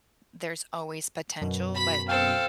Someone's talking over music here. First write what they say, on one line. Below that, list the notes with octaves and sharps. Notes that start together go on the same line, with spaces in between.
there's always potential, but,
F#2 B2
B5 B6
C4 A4 F5 G5 F6